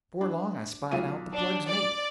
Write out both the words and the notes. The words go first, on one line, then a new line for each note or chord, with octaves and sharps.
Before long I spied out the plug's mate.
D4
B1 F4 D#7
D4
D5